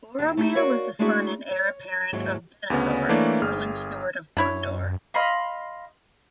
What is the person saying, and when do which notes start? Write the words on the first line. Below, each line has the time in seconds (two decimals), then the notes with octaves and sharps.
Boromir was the son and heir apparent of Denethor, the ruling Steward of Gondor.
0.18 D#2 C4
0.37 A3 D#4 G4
0.54 F#4 A#4 C#5 D5 F5
0.99 G#3 A3 D4 E4 F#4 G#4
1.51 C#5
2.13 D#2 G#2 F#3 E4 D#5
2.70 D2 C#3 B3 C#4
3.09 E3 A3 A#3 D4 C#5 D5
3.42 G1 G#4 F6
4.37 F#2 D4 E4 C#5
5.14 D#5 F5 B5 C6